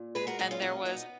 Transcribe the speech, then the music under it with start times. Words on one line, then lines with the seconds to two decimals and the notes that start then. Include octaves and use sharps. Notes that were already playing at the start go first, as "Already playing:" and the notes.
and there was
Already playing: A#2
0.15 G#3 G#4 B4
0.27 F#4 A#4
0.39 A#2 D#4 F#4
0.51 C#4 F4
0.62 B2 C#4
0.85 B3 D#4